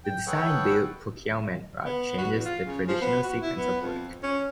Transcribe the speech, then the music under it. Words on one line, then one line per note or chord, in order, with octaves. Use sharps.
The design-build procurement route changes the traditional sequence of work.
G5
G#4 A4 B4 C#5 F#5 G5
B3
F#4
E2
F4
C#3
F3
B3
F#4
E4
B3
F2
C#4